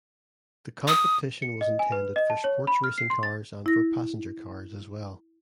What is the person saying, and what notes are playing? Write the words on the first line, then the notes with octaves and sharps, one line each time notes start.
The competition was intended for sports racing cars and for passenger cars as well.
D#6
C#7
D#5
G#5
B4
D#5
A5
C#5
B5
F6
C7
C6
A6
E4 A#6